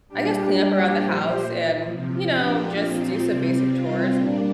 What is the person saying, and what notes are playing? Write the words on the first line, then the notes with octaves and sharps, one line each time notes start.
I guess, clean up around the house and, you know, just do some basic chores,
A#2 G3 D4 G4
A#2 G3
A#2 F3 G4 C5
A#2 F3
C3 F3
A#2 F3 D4 G4
A#2 F3 C4 F4
C3 G3 C4
C3 G3 C4 F4
A#2 G3 A#3 D4